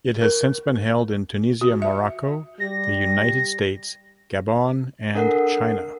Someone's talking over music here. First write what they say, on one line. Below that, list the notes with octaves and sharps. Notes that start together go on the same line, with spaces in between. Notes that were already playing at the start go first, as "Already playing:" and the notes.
It has since been held in Tunisia, Morocco, the United States, Gabon and China.
A#4
F#4
E5
G3 A#6
D4 A4 A#4 F#5